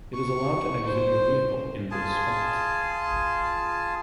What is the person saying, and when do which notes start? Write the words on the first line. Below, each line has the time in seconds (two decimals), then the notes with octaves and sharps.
It is allowed to exit your vehicle in this spot.
0.14 C#6
0.84 C5
1.91 F4 G#4 G#5 A5